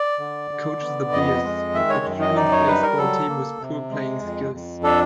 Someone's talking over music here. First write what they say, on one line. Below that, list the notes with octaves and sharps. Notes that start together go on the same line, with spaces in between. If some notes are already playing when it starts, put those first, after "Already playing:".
He coaches the Bears, a children's baseball team with poor playing skills.
Already playing: D5
D3
D3
B3
F2 D#5
G#3
D#3 E5
C#5
F#2
D#5
D#4 D5
C#5
G3 B4
A#4
F#3 A4
A#3
C3
G#3
F2
F2
D4 A4